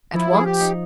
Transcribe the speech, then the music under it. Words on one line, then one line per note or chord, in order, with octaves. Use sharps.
"At once?"
F3 E4
G#4
G4
D#4